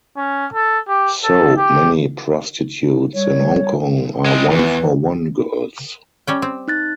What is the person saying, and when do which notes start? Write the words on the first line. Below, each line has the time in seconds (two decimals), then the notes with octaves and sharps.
So, many prostitutes in Hong Kong are "one for one" girls.
0.17 C#4
0.54 A4
0.87 G4
1.24 A4
1.57 G4
3.14 G3 C#5
4.25 G#3 C4
4.51 E2 E3
6.27 G3 C#4 G5
6.42 C4
6.68 D#4 F#6 A6